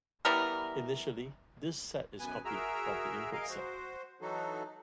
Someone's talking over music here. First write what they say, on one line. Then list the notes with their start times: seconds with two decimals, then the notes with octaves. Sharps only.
Initially, this set is copied from the input set.
0.25 E3 G3 B3 A#4
2.20 F#2 B2 B3 B4 G#5
2.45 F#4 G#4 A#4 E5 A#5 E6
3.32 G#4 A#4 D#5 F5
3.49 F#4 C5
4.21 E3 F#3 D#4 F#4 A4